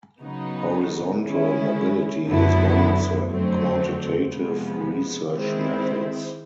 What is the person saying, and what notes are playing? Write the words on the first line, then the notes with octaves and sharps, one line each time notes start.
Horizontal mobility is one of the quantitative research methods.
C#3 F#3 B3 D#4
D#3 G#3 C#4 E4
F#2 D3 F#3 B3 E4
F2 D3 F#3 A3 C4
C3 F3 G#3 B3
D#3 G#3 C4 E4